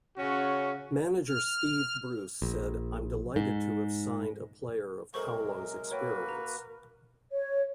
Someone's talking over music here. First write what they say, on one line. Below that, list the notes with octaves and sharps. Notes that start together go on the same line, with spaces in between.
Manager Steve Bruce said I'm delighted to have signed a player of Paulo's experience.
C#3 C#4 F#4
F6
A#1
G#2
C3 F#3 G#3 A4 A#4 C5 C#6
A#3 F#4 B4 C#5 G5
A#5
C#5